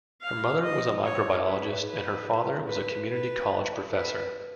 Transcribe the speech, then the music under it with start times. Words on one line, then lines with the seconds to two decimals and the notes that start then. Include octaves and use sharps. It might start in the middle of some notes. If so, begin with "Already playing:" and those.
Her mother was a microbiologist and her father was a community college professor.
0.22 F5
0.63 D#5
1.04 C#5
1.45 B4
1.86 B4
2.68 B4
3.10 B4
3.91 B4